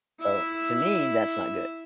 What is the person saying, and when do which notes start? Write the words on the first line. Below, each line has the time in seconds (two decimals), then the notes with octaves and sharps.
So, to me, that's not good,
0.19 E4 E5